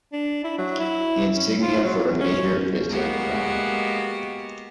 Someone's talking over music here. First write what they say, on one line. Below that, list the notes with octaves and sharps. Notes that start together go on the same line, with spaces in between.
The insignia for a major is a crown.
D4
E4
F#3
E4
C#4
F4
F#3
C#4
G#3 A#3 B3 F#4 G4